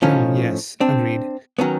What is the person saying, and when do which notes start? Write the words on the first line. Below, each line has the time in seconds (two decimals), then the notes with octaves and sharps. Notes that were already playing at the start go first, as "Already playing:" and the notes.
No. Yes. Agreed.
0.02 A2 F3 C#4 D#4
0.80 C4 D4
1.59 D#3 F#3 B3 C#4